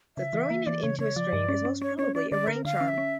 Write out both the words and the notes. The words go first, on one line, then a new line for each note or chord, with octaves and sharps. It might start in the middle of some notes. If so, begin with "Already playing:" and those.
The throwing it into a stream is most probably a rain-charm.
C#3 E5
E3
A#3
E3 D5
C#3 C#5
C#3 C#5
F3 D5
G2
C#4
C#4
C#4 C#5
C#4 C#5
C#4 D5
D3 D5
D3 A#4
D3 F5
C#4
E5
C#4